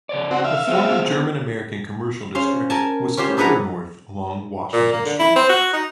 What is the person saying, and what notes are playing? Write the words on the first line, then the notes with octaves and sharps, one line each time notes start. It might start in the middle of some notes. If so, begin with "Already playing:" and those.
The former German-American commercial district was further north along Washington Street.
C#3 C#5 D5
C4 F#4
E5 F5
B3 C4 G#4
C#4 C5 F5 C6
A#4 G#5 A5
C#4 F4 G4 C5
D4 E4 G#4 B4 F#5 A#5
A#2
A#3
D3
E4
C4
F#4
D#4